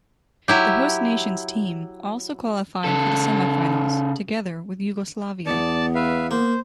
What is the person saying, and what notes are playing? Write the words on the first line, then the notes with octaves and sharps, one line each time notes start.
The host nation's team also qualified for the semifinals together with Yugoslavia.
F#3 E4 G4
C#3 A4
E2 B3 D5 A5
B4 E5 F5
A#3 C5